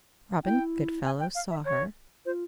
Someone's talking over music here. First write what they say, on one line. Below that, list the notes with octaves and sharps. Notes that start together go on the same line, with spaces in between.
Robin Goodfelllow saw her.
E4 G5
G#5
G5
F5
E5
C#5
F4 C5